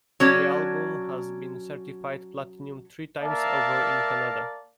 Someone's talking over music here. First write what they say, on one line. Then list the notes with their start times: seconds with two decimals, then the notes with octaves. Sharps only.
The album has been certified platinum three times over in Canada.
0.20 F#3 C#4 D4
3.22 A#3 A#4 D5 E5 F5 A5